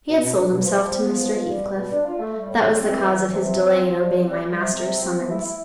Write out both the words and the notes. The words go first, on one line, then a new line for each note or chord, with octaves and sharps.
He had sold himself to Mr. Heathcliff: that was the cause of his delay in obeying my master's summons.
B2
B2
D4
B2
F3
F3
B3
F3
B3
F4
G3
B2
B2
D4
F4
A3
G3
A2
A2
C4
E3
E3
E3
C3
F3
C4
F3
F3
G3
C4
G3
G3
C3
C3
C4
F3
B3
E4
E4